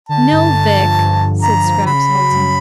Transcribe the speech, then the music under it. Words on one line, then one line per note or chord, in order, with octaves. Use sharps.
"No, Vic," said Scraps, halting.
D3 A5
G2
D3
F3
G2
G2
D3 A#5
F3
C#3 B5
F#3
F#2